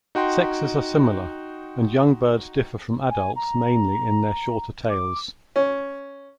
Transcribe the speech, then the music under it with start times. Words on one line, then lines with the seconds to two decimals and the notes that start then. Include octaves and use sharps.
Sexes are similar, and young birds differ from adults mainly in their shorter tails.
0.15 D#4 F#4 G5 C6
3.10 G#5
3.36 A#5
4.90 D6
5.56 C#4